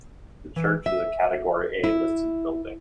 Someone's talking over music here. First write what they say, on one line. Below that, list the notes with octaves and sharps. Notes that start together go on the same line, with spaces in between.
The church is a Category A listed building.
E3
E5
E4